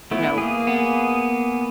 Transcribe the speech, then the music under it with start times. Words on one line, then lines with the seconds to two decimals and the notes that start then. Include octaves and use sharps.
you know,
0.11 A3 B3 E4
0.38 A#3 G#4
0.67 B3